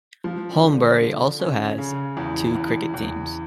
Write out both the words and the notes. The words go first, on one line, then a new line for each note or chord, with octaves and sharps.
Holmbury also has two cricket teams.
F3
D3
D3
C#4
C#3
E2
E2
E2